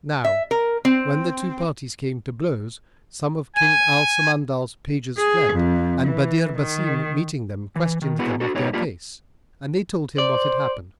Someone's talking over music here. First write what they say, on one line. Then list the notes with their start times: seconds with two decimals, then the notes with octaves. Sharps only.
Now when the two parties came to blows, some of King Al-Samandal's pages fled and Badr Basim meeting them, questioned them of their case and they told him what had happened.
0.24 E5
0.51 A#4
0.85 C4
3.56 G#5
5.18 G#4
5.53 F2
6.05 E3
6.58 D#3
7.76 E3
8.02 D#3
8.19 B3 E4 F#4 G#4 B4
8.40 D4 F#4 A4
8.55 G#2 B3 D#4 G4 C#5
8.74 A#3 D4 F4 G4
10.18 C5 D5